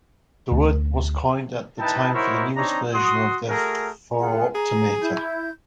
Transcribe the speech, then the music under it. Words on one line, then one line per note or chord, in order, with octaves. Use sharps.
The word was coined at that time for the newest version of their phoro-optometer.
D2
D#4 E4 B4 G5 A5
D#4 E4 F#4 A#4 C5 C#5
C4 D4 D#4 C#5 A#5
F#4 C6 D#6
A3 F#4 G#4 A#4
F4 G#4 F#5
G#4 A#5
E4 G6